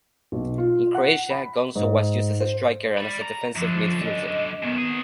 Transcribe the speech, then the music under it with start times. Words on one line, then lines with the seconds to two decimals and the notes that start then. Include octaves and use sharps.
In Croatia, Gonzo was used as a striker and as a defensive midfielder.
0.32 B1
0.58 F4
0.95 F#5
1.30 B5
1.75 G#2
2.40 C5
2.98 D5 B5
3.22 A#5
3.56 F#2 D3 F3
4.04 D#5
4.63 F#2 D#3 B3
4.78 D#3 G#4